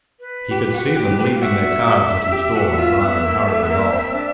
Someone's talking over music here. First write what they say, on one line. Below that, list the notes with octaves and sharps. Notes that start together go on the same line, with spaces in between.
He could see them leaving their cards at his door and driving hurriedly off.
B4
G4
F#4
G4
G4
F5
F#4 E5
G4
F#4
F4
B3
A#3
A3
B3
A#3
C4
D4